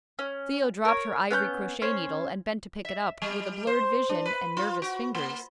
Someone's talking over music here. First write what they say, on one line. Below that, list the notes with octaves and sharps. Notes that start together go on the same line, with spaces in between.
Theo dropped her ivory crochet-needle, and bent to pick it up, with a blurred vision and nervous fingers.
C#4
A#4 C#5
B3 C#4 B5 G6
C#4 C5 C#5
E5
G3
C5
D4
B4
F4
F#4
A#3